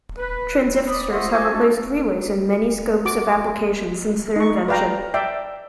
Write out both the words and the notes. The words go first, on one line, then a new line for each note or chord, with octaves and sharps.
Transistors have replaced relays in many scopes of application since their invention.
B4
D5 B5 D#6
A3 F4 C5 D#5 E5 F#5
F4 F#4 C5 D#5 G#5 D6
C4 D4 F#4 A4
F#4 D6
D#4 C#6
B4 D5 F5 G5 A#5
D5 E5 G5